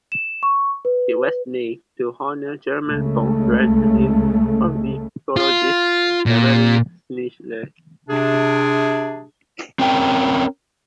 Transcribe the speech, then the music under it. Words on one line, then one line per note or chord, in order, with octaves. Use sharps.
It was named to honour German-born Brazilian ornithologist Emilie Snethlage.
E7
C#6
B4
C#2 C#3 G#3 A3
F4
A#2
C3 D4 G#4
C4 C#4 A#4 G5